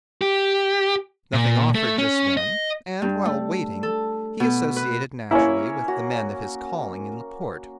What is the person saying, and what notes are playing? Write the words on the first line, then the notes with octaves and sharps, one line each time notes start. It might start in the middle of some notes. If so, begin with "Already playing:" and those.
Nothing offered just then, and, while waiting, he associated naturally with the men of his calling in the port.
G4
A#2
A3
C#4
D#5
G2
A3
A4
B2
B4
A#3 C#4 E4 C#5
F#4